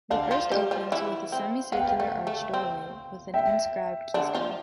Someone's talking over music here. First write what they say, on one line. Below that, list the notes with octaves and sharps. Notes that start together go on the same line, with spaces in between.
The first opens with a semicircular arch doorway with an inscribed keystone.
D3 D4 F5
F3 F4
G3 G4
F3 F4
E3 E4
C4
B3 F5
G5
F5
A3
A3
C4
E5 G5
D3 D4
F3 F4